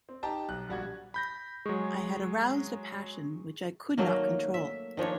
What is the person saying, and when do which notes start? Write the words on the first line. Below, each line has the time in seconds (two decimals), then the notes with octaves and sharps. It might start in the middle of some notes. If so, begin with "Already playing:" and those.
I had aroused a passion which I could not control.
0.09 C4
0.23 D#4 G4 A5 A#5
0.48 B1 F#6
0.69 A#1 G3 F#4 G#6
1.14 B5 G6 A#6
1.66 F#3 G#3 G#4 C#6
3.98 D#3 F#3 A3 A#3
4.54 E5
4.97 D#3 F3 D4 C#5